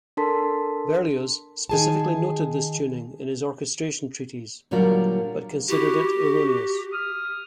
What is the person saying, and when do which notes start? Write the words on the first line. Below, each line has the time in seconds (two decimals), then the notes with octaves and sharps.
Berlioz specifically noted this tuning in his orchestration treatise, but considered it erroneous.
0.17 D4 A4 A#4 A5 C6 B6
1.69 D#3 G#4 A5
4.71 A#2 D3 F#3 G3 F4 A#4
5.69 E4 F#4 G4
6.12 F#4
6.92 D#6 F6